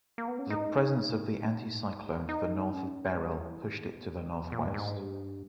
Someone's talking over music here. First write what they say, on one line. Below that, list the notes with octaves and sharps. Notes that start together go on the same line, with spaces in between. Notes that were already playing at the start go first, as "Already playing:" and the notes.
The presence of the anticyclone to the north of Beryl pushed it to the northwest.
A#3
B3
C#4
D#4
D#4
C#4
G3
E3
D#3
B2
C#3
B2
A#2
G2
G#2
G2